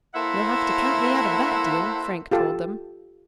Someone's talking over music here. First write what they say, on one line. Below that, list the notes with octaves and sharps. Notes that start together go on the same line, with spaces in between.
"You'll have to count me out of that deal," Frank told them.
A#3 E4 A4 C5 E5 F#5
F4 G4 A4